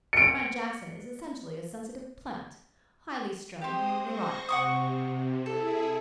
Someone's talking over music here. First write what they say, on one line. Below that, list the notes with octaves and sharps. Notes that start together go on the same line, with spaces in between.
Comrade Jackson is essentially a Sensitive Plant, highly strung, neurotic.
C#7 D7
G#3 C4 G4 C5 D#6
C5 C#6 A#6
C3 F#5 C#6 D#6
E4 G#4 A4 E5